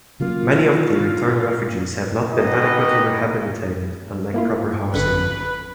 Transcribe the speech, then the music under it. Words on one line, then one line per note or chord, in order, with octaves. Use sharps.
Many of the return refugees have not been adequately rehabilitated and lack proper housing.
C#3 F#3 A#3 F4
D#4 F#4 G4 B4 D#5
A#3 E4 F4
G#1 D3 B4 C#7